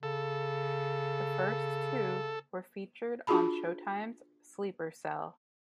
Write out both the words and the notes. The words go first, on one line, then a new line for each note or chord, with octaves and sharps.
The first two were featured on Showtime's "Sleeper Cell".
C#3 A4
D4 F4 F#4 G#4 A5 B5